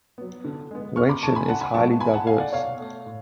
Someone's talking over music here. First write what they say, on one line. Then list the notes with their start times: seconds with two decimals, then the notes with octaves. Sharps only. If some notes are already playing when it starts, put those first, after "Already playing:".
Wenshan is highly diverse.
0.18 F#3 B3
0.45 D3
0.71 G#3 B3
0.96 B2 C#6 F6
1.09 B5 D6
1.23 A3 A5 C#6
1.35 G#5 B5
1.49 C#3 F#5 A5
1.61 G#5 B5
1.74 F3 G#3 B3 A5 C#6
2.00 B2 G#5 B5
2.13 F#5 A5
2.27 A3 F5 G#5
2.40 D5 F#5
2.53 B2 C#5 F5
2.79 A3
3.06 A2